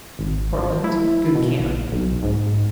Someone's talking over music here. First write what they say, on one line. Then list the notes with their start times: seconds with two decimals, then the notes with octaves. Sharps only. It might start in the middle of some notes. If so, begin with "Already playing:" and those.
Portland.--Good camp.
0.19 G#1
0.58 F3
0.84 E4
1.35 B2
1.60 A#1
1.92 B1
2.23 G#2